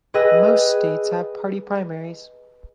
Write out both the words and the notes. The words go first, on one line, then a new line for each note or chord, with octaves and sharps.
Most states have party primaries.
G#4 B4 D#5 G5 G#5 E6